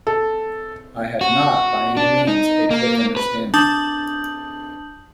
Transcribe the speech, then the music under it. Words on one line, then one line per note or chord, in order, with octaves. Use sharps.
I have not by any means a quick understanding.
A4
F#4
D4
D#4
A#3
B4
D4 A5 D#6 G6 F#7